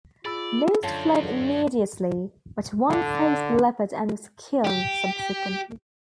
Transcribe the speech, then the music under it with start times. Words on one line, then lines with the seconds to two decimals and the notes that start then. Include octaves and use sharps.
Most fled immediately but one faced the leopard and was killed subsequently.
0.25 F4 G#4 D5 B5 E6
0.83 F#2 D3 F4 C#5 A5
2.88 D3
4.65 G4